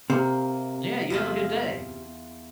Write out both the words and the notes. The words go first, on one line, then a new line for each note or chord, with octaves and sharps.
Yeah, you have a good day.
C3 A#3
E2 E4 F4